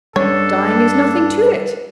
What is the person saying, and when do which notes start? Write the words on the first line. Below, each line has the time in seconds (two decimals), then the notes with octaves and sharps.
Dying is nothing to it.
0.16 G2 G3 C#4 D4 A4 C#5